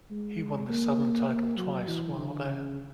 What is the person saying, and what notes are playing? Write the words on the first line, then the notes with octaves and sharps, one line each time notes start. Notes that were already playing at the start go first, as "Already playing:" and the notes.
He won the Southern Title twice while there.
G#3
A#3
A#3
F#3
E3
D3
C#3